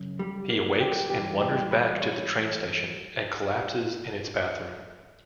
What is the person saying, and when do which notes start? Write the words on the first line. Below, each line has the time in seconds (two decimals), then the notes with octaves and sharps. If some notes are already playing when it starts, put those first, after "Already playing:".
He awakes and wanders back to the train station and collapses in its bathroom.
Already playing: F#2 C#3
0.19 G3
0.50 A#3
0.80 G4
1.10 G2 E3 G3 G4
1.40 G4
1.71 B4
2.01 C#5